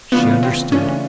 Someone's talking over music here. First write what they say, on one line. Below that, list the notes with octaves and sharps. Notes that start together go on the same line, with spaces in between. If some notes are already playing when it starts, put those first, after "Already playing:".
She understood!
C#3 E3 A3 B3 D4 F4
C4
C#3 E3 A3 C#4 D4 F4